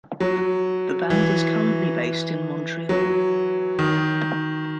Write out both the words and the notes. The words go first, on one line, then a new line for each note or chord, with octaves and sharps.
The band is currently based in Montreal.
F#3
E3
F#3
D#3